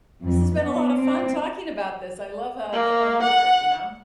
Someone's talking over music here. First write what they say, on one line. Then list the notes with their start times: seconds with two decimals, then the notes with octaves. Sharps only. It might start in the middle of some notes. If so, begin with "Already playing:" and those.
this has been a lot of fun talking about this, I love, uh, getting all the dirt, you know?
0.22 F2
0.54 B3
0.95 C4
2.72 A#3
3.22 F#5